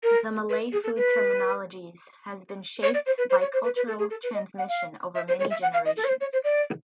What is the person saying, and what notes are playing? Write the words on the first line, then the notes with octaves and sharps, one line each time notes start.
The Malay food terminologies has been shaped by cultural transmission over many generations.
A#4
B4
G#4
A4
B4
C#5
D5
C5
B4
C5
C#5
C5
B4
B4
A4
G#4
A4
B4
D#5
F#5
F5
E5
C5
C#5
E5
F#5
F5
D#5
A4
C#5
C5
C#5
C5
D5